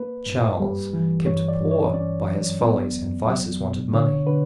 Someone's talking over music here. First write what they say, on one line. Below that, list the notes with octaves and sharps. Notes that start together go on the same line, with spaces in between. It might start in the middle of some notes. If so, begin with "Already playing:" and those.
Charles, kept poor by his follies and vices, wanted money.
Already playing: A#3 B4
G2
G3
E3
G2 C#5
D5
G2
C#5
C#4 D5
F#3
B3
E2
F#3
B2
D3 C#5
D3 B4